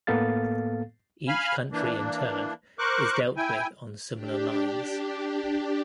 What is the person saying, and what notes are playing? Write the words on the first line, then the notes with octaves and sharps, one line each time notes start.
Each country in turn is dealt with on similar lines.
A2 A#3 B3 A4 F5 A6
F5 G#5 B5 F6
E3 A#3 D4
A#4 C5 C#6 D6 F#6
E4 G5 G#5
D4 G4